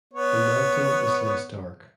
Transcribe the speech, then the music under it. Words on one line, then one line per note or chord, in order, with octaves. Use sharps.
The mantle is less dark.
B3 C#5